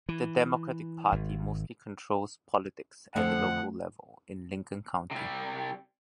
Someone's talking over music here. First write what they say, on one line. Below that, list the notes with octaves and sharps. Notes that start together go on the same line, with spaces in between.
The Democratic Party mostly controls politics at the local level in Lincoln County.
E3
G#1
F2 D3 F3 A3 F#5
C3 G3